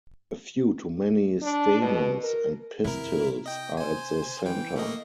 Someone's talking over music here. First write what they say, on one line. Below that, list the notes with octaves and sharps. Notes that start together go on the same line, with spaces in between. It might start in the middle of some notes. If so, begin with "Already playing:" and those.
A few to many stamens and pistils are at the center.
D4
B2
A#4
C3 E4 A#4
D#5 G5
C5 G#5
E3 G5
A3 A#3 D#5